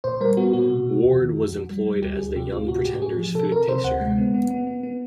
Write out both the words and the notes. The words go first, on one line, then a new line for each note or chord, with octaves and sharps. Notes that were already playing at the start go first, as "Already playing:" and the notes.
Ward was employed as the Young Pretender's food taster.
A#2 C5
G3 A#4
B3 F#4
A#2 F#4
C3
C3
E2
D#3
F2
F2
G3
G3
D2 G4
D2 G#4
C3 G4
D2 F4
A2 F#4
A2 G4
A2 G#4
F3
C3 A4
C3 A#4
C3 C5
D2 F#5
G#3
B3
B3
B3
B3
B3